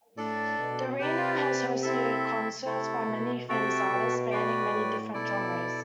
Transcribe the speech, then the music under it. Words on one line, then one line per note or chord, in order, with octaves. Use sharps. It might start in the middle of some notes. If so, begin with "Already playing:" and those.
The arena has hosted concerts by many famous artists, spanning many different genres.
A2 D4 A4 D5
B2
C3 G4 B4 D5
C4 E4 A4 E5
C3 A3 E4 A4
B2
C3 F#4 A4 E5 G5
B2
F#4 B4 D5 G5
A2
B2 E4 A4 D5